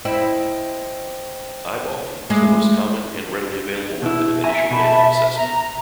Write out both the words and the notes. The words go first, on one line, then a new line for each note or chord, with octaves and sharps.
"Eyeballing" is the most common and readily available method of initial data assessment.
E4 C5 D#5 G5
G#3 A3
B2 E4
E5 G#5 A#5
B2 A5 B5
A#5